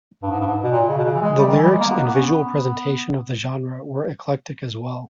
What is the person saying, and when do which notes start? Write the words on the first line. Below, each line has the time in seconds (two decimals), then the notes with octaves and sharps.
The lyrics and visual presentation of the genre are eclectic as well.
0.23 G2
0.31 G#2
0.39 G2
0.47 G#2
0.64 B2
0.72 A#2
0.89 C#3
0.97 B2
1.05 C#3
1.14 E3
1.22 G#3
1.39 G3
1.47 D#3
1.56 E3
1.64 G3
1.72 G#3
1.80 A#3
1.89 B3
1.97 A#3
2.05 B3
2.14 C#4
2.22 B3